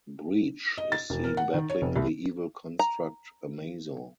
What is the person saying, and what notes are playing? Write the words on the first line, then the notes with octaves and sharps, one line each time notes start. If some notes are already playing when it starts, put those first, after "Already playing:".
Breach is seen battling the evil construct Amazo.
D#5
A6
E1
A#4
F#5
D#3
C#5
F1
C2
A#5